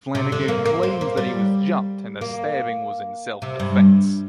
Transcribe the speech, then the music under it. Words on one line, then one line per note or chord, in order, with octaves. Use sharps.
Flanagan claims that he was jumped, and the stabbing was in self-defense.
C3
D3
A#3
A#3
C4
A#3
G3
A#3
C3
G2